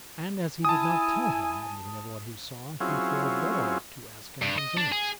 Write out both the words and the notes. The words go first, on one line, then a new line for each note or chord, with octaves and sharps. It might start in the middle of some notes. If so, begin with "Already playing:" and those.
And as he did not tell him the meaning of what he saw, he forebore to ask him concerning it.
E4 G#5 A5 D#6
F#3 C4 C#4 E4 F4 G#4
G2
D#5
D4
G#4